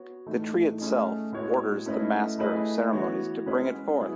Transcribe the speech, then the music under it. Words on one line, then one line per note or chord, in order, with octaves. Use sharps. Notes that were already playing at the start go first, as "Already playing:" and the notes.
The tree itself orders the master of ceremonies to bring it forth.
Already playing: B3 F#4 C#5
A2 E3 A3 D#4
A3 C#4 G#4 D#5
A2 G#3 B3 F#4 C#5
A3 C#4 E4 B4 D#5
A3 E4 G#4 B4 D#5
E3 B3 F#4 C#5
G#3 C#4 G#4 B4
F#3 B3 E4 G#4